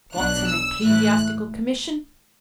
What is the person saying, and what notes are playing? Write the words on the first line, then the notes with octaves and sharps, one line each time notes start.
What's an Ecclesiastical Commission?
B1 B2 F#3 D4 F#6
E6
A2 E3 A3 E4 F#6